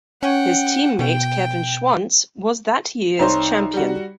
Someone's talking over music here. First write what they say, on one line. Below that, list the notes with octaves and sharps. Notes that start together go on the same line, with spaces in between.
His team-mate Kevin Schwantz was that year's champion.
C#4 F#5 G5
B2 G5
C2 D#4 C5 C#5 A#5
G3 F#4